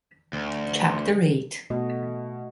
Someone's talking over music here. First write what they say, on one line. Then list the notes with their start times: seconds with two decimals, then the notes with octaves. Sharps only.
Chapter eight.
0.33 D2
1.70 B2 A3 F#4 D#5